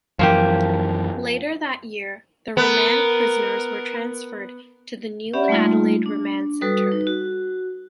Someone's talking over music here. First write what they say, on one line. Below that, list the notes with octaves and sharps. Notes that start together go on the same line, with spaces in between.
Later that year the remand prisoners were transferred to the new Adelaide Remand Centre.
F#2 E3 F3 A#3 G4
B3 A#4
C#4 G4 D5 E5 F#5 B5
G3 A3 A#3 D#4 F4
D4
G3 F#4 A4 B4 D#6
D#4 B4
F#4